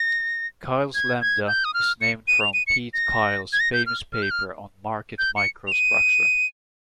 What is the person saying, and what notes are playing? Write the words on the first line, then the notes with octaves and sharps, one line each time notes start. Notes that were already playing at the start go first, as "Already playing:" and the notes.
Kyle's lambda is named from Pete Kyle's famous paper on market microstructure.
Already playing: A#6
G#6
G#6
G6
D#6
F6
C#7
D#7
F7
D#7
C#7
A#6
G#6
A#6
G6
F6
F6
G6
F6
G6
C#7
F7
D#7